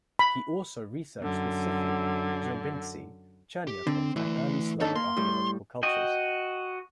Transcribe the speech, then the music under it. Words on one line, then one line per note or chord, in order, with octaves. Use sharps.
He also researched the Scythian, Zarubintsy, Chernyakhov and early Slavic archaeological cultures.
B5
F#2 D3
G4
D3 C4
E3 A3 D5
D#2 D4 D#4 A4 C#5
A#3 C6
A2 G3
F#4 D#5 G5